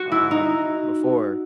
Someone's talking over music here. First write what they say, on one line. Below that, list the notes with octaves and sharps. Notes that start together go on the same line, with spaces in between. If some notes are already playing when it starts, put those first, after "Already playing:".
um, before,
Already playing: F#4
E4
D#4